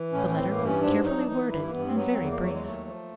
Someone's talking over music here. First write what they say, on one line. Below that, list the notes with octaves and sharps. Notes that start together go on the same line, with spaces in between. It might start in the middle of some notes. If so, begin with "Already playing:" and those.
The letter was carefully worded, and very brief.
Already playing: E3
A2 C#4
C#4
E3 C4
A#3
G2
C#4
G#2 D4
F#3 D#4
D4
E3 D#4
G2 E4
A#3
G2 B3
C4
F#3 B3
C4
E2 B3
A#3
F#3 A3
G#3
D#2 A3
F3